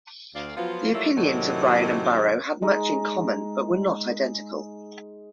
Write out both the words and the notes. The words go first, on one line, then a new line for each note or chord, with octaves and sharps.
The opinions of Browne and Barrowe had much in common, but were not identical.
D2 D5 F5
F3 F#3 B3 F4
F#3 G3 A3 A#3 E4 F4
F#2 A2 C3 D#3 F#3
G#3 D#4